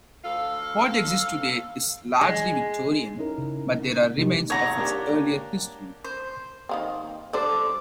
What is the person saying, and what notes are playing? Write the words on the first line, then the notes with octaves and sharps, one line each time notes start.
What exists today is largely Victorian, but there are remains of its earlier history.
D2 A4 F5
G#3
C#4 D#4 E4 A#4
C#3
C3 A#3 D#4 G4 A#4
G#1 C#5 F#5 A#5 D6
A#3 D4 G4
C5
D#3 A#3 C4
G3 D4 A4 C5 D5